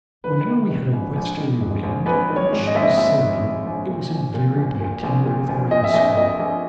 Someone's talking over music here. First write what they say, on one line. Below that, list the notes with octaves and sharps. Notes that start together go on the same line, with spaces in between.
Whenever we had a westerly wind, which was seldom, it was invariably attended with a rain squall.
A#1 B4
D#3
G#2
A#1
A#1
D#3
G#2
A#1
A#1 B4
D#3
C#5
G#2
D#5
A#1 E5
D#5
A#1 E5
D#3
G#2
A#1
A#2
A#1
A#2
A#1
A#2
A#1
A#2
A#1
A#2 D#5
E5
A#1 D#5
A#2 D#5
A#1